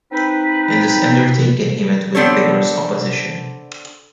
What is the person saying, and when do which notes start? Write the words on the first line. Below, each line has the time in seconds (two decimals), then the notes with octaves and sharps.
In this undertaking he met with vigorous opposition.
0.12 C4 D#4 B4
2.15 D3 B3 C4 D4 A4 C#5